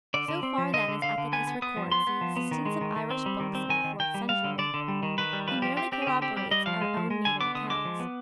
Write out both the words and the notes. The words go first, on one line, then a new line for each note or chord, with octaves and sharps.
So far then as Ethicus records the existence of Irish books in the fourth century, he merely corroborates our own native accounts.
D3 D5
D3
C4
F3
D3 D#5
D3
D3 F5
D3
B3 G#5
B3
B3 D#6
F3
B3 C6
B3
F3
B3
D#3
G#3
D#3
D#3
C4
G3
D#3
C4
D#3 G#5
D#3
D#3 G5
G3
G3 F5
D3
D3 D5
D3
G3
D#3
D#3 B4
G3
F3 B4
F3 G4
C4 G4
C4 G4
G#4
D3 G4
C4 G4
G3 G4
G3 D#5
F3 F5
G#3
F3
G#3
D3 G#5
B3 D6
D3 D#6
G#3 D6
F3
B3